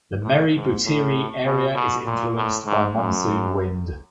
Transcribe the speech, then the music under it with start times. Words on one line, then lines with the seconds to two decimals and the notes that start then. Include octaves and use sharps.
The Meru Betiri area is influenced by monsoon wind.
0.24 A2
0.55 G#2
0.85 A2
1.45 B2
1.75 B2
2.05 A#2
2.36 A2
2.66 G#2
2.96 F#2